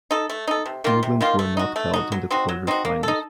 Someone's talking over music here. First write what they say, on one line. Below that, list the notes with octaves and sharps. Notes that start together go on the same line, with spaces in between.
England were knocked out in the quarter-finals.
D#4 A4
A3
D#4 A4
C3
D#3 A#3 F4
C3
D#3 A#3 F4
A3
D#4 F#4
A3
D#4 F#4
F#3
C4 D#4 F#4
F#3
C4 D#4 F#4
A#3
D#4 A4